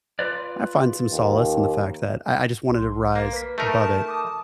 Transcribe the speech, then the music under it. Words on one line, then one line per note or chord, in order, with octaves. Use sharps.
I find some solace in the fact that I I just wanted to rise above it,
F4 B4 D5
D#2
B1 C6
A#3
B4 B6
A3 D#4 A#4 A5
D6 D#6